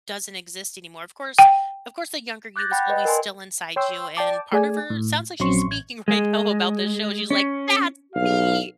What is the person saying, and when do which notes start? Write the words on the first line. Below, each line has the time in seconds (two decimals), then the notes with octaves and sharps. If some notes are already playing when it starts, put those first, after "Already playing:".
doesn't exist anymore. Of course of course, the younger you was always still inside you, and part of her sounds like she's speaking right now about this show, she's like, "That's me!"
1.39 G5
2.56 D6 F#6 G6 A6 A#6
2.71 F#5 G5 B5 F#6 A6
2.89 B4 D5 D#5 G5
3.05 A#4 D5 G#5 C6
3.76 C#5 G5 C6 E6
4.17 D5 G5 A5 D6
4.52 A3 G#4 D5 G#5
4.90 A2
5.40 A#1 F#3 C4 C#4 C6 C#6
5.67 A1 G#6
6.08 G#3
7.30 C#4
8.15 B1 F5